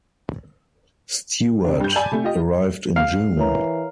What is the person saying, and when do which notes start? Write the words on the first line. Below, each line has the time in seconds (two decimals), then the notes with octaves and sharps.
Stewart arrived in June.
1.65 C3 D4
1.80 G2 G6
1.96 D5 G#5 A5 B5
2.11 C3 A3
2.24 F4 G4 D#5
2.96 F5
3.37 E3 A#4 C#5 A#5